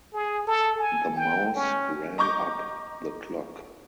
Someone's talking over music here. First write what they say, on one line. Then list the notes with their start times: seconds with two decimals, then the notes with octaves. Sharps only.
The mouse ran up the clock.
0.13 G#4
0.47 A4
0.78 G#5
1.16 G5
1.55 C#4
2.18 D#5 A#5 C#6 D6 G6